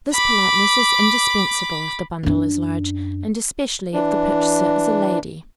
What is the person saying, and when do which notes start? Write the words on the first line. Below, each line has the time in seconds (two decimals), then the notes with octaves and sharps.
This politeness is indispensable if the bundle is large, and especially if the purchaser is a lady.
0.13 B5 D6
2.23 F#2 D4
3.94 E3 D4